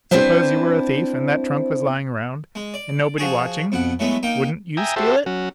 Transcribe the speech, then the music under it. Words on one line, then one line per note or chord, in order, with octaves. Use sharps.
Suppose you were a thief, and that trunk was lying around and nobody watching--wouldn't you steal it?
C4 D4 E4 B4 C5 E5
G#3
D5
F3 F#4 G#4
F2 B2 F#5
E3 F#3 G#3 A3 B3
A#3 D#4 G5
E5 G5 G#5 A#5 D#6
F#4 G4 A4 C5 E5
F#3 C#4 F#4